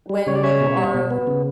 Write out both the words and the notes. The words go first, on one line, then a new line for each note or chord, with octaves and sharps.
when you are
G3
C#3 C#5
D5
C#4 C#5 E5
B2
G3
B2
B3
C#3